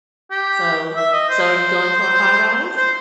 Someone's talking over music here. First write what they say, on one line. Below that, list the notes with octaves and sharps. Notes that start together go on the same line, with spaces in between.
so so you going for a high-rise?
G4
E5
D#5
C5
C5